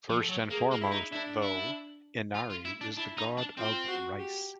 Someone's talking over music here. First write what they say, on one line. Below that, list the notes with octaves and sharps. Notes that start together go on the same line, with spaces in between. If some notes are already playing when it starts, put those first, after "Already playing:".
First and foremost, though, Inari is the god of rice.
F3
A4
F#3
A#3 G#4
A#3
E4
D#4
D4 E4
E4
F4
F4
E4
D4
D4 E4
D#4
D4
C4 F4
F#4
G4